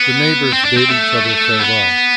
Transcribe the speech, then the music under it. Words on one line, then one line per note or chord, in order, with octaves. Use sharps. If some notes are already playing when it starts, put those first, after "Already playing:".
The neighbours bade each other farewell.
Already playing: B3
C4
D4
C4
A3
B3